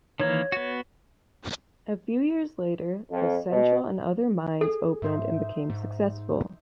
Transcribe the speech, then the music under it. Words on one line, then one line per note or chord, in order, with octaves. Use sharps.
A few years later, the Central and other mines opened and became successful.
D#3 E3 A#3 C#5 G#6
B3 F#4
F2
B2
G#4 A4
G#2 D#4 C5 E5
G#2